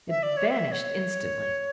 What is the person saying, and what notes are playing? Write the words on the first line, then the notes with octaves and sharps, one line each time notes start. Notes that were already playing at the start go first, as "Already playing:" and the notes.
It vanished instantly.
E5
D5
C#5
D5
E5
C#5